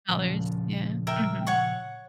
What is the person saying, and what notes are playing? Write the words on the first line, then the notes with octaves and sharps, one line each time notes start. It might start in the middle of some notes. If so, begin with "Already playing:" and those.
dollars, yeah, mhm.
A#2 C#3 F3
A#4 E5 G5
C#5 F#5 C#6